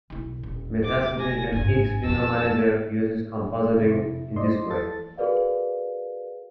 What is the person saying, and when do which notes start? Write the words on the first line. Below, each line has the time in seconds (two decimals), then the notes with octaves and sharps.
Metacity, an X window manager uses compositing in this way.
0.10 B1 E4
0.43 D#1
0.85 D6
1.19 F1 G#5 A#6
1.53 G#1 G2 G#5
2.04 F2 A5 E6
3.78 F2 C3 E4
4.36 C5 D5 D#5 C6
4.70 E3 A4 A6
5.17 F#4 G#4 A#4 B4 D5 F5